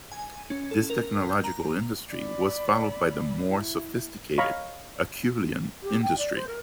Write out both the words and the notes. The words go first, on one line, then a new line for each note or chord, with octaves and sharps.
This technological industry was followed by the more sophisticated Acheulean industry.
G#5
C#4
A4
A#4
G6
A#5
D5 B5
E4
C#5 D#5 F5 A#5 B5 C#6
G4
G5
D5
C5
A#4